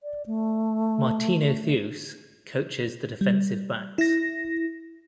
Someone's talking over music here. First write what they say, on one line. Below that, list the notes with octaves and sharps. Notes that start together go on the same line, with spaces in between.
Martino Theus coaches the Defensive Backs.
D5
A3
G3
E4 A#6